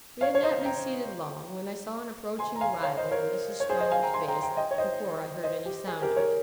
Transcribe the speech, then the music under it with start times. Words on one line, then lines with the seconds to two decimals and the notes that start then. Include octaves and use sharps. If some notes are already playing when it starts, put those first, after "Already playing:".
We had not been seated long, when I saw an approaching arrival in Mrs. Strong's face, before I heard any sound of it.
0.21 C#5 F5
0.35 C#5
0.43 C5 D#5
0.65 G5 A#5
2.39 G#5 C6
2.56 A#5
2.61 F5 G#5
2.83 C#5 F5
2.97 C5 D#5
3.11 A#4 C#5
3.60 C#5
3.69 G#4 C5
3.80 C5 D#5
3.91 F5 G#5
4.03 G5 A#5
4.14 G#5 C6
4.28 G5 A#5
4.42 G5 A#5
4.57 D#5 G5
4.71 C#5
4.78 C5 D#5
5.44 C5 D#5
5.65 G4
5.87 G#4
6.02 G4 A#4
6.16 A#4 C#5